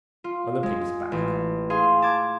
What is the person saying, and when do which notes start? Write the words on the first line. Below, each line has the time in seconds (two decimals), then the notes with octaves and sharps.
On the pig's back.
0.24 F4
0.63 G#3
1.12 A1
1.70 G#4 F5 C6
2.02 A5 D6 G#6